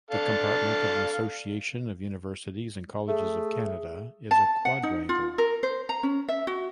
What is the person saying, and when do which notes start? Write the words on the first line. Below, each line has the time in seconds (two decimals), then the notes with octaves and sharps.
The compartment of the Association of Universities and Colleges of Canada is a quadrangle.
0.11 D4 A4 F5
3.08 A3 G#4
4.31 A5
4.65 F#5
4.83 D#4
5.09 F4
5.38 A#4
5.63 C5
5.89 A#5
6.03 C#4
6.28 E5
6.47 F#4